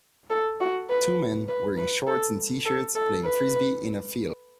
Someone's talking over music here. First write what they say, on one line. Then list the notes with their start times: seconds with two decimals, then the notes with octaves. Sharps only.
Two men, wearing shorts and tshirts, playing Frisbee in a field.
0.30 A4
0.60 F#4
0.90 B4
1.48 B4
1.78 B4
2.07 A4
2.65 A4
2.95 A4
3.24 B4